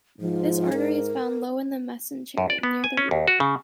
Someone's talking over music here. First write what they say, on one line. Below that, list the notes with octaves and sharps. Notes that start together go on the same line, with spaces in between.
This artery is found low in the mesentery, near the root.
G#2 F3
A#4
F#2
D5
B3
G#5
C#4
D#2
F#4
C#3